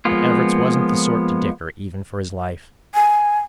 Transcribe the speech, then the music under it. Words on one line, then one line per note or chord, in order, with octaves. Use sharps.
But Everts wasn't the sort to dicker even for his life.
F3 G#3 A#3 B3 F4
G#5